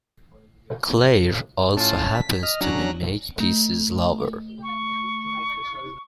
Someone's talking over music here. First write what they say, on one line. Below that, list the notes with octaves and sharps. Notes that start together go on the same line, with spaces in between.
Claire also happens to be Makepeace's lover.
A2 C#4 F4 A5
B6
D#5 F6
F#3 C#4 D4 A#5 F#6
A3
C#6